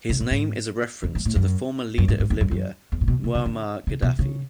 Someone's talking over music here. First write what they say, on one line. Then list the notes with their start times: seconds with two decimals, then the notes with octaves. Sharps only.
His name is a reference to the former leader of Libya, Muammar Gaddafi.
0.10 C#3
0.20 A2
0.31 G#2
1.03 E2
1.15 G#2
1.25 A2
1.36 F#2
1.98 F#2
2.08 G#2
2.20 G#2
2.30 E2
2.41 F#2
2.51 F#2
2.92 E2
3.01 A2
3.08 B2
3.24 B2
3.35 C#3
3.46 D3
3.87 C#3
4.02 B2
4.19 C#3